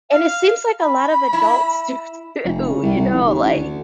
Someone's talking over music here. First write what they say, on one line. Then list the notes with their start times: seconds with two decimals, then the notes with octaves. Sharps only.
And it seems like a lot of adults do too, you know, like,
0.11 F5
0.79 B5
1.33 E4
2.44 F1
2.67 C#3
2.82 C2
2.96 C2
3.12 F1
3.26 D#2
3.41 A1
3.53 D2